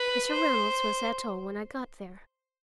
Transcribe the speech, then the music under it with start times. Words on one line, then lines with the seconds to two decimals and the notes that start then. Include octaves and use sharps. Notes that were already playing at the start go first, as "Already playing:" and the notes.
Mr. Reynolds was at home when I got there.
Already playing: B4
0.31 C5